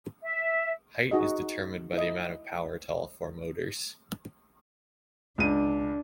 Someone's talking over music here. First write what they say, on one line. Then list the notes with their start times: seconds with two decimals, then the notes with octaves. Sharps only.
Height is determined by the amount of power to all four motors.
0.23 E5
1.11 D#4 F#4 G#4 D#5
1.93 E4 D#5
5.38 C#2 D4 D#7